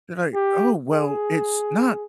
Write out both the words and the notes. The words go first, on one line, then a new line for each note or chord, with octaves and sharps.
They're like, "Oh, well, it's not
G4
G#4